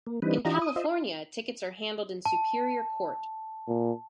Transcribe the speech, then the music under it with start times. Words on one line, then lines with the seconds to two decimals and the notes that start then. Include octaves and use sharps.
In California tickets are handled in Superior Court.
0.07 A#3
0.22 E3 G3 C4 D4 D#4 B4
0.45 E3 D4 F4 G4 D#5 A#5
0.62 D#6
0.76 F4 C5 D#5 E5
2.25 A5
3.68 A#2